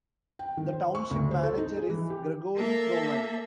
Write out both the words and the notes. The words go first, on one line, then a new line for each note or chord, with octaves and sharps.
The Township Manager is Gregory Prowant.
G5
D#3
C5
C#6
D2
C5
A4
D#4
G#4
E3
G4
A#3 A4 E5